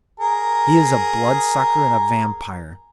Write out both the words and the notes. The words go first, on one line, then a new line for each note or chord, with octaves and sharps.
He is a bloodsucker and a vampire.
G#4 A#4